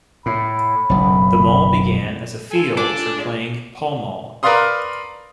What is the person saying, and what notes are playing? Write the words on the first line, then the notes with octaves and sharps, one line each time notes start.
The Mall began as a field for playing pall-mall.
A2 B5
F#1 B1
F4 A4 G#5
D4 D6
G#3
A#4 B4 D5 F5 C6 D#6